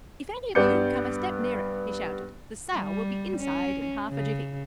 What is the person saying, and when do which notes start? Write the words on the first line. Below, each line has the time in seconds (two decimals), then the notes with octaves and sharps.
"If any of you come a step nearer," he shouted, "the sow will be inside in half a jiffy."
0.55 G2 G3 B3 D5 G6 C#7
2.76 G3
3.37 C#4
4.11 C#3